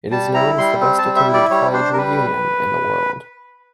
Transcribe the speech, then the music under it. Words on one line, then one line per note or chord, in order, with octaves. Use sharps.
It is known as the best-attended college reunion in the world.
G3 A5
E4 A#5
G3 C6
C4
A5
G3
E5
E4
D5
G3 C#5
D4 C5
A#4
G3 B4